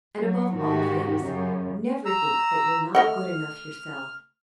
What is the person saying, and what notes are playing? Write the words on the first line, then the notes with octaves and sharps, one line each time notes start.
And, above all things, never think that you're not good enough yourself.
F#3
G#2 D#3 F#4 G4
F#2 C#3
A#5 E6
A3 D#5 F#5 F6